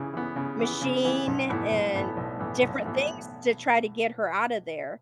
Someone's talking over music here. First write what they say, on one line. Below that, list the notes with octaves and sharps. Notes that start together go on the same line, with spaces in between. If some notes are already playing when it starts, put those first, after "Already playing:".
machine and different things to try to get her out of there.
Already playing: C#3 E3 B3
E3 B3
C#3
E3 B3
C#3
E3 B3
B1
A2 E3 B3
B1
A2 E3 B3
B1
A2 E3 B3
B1
A2 E3 B3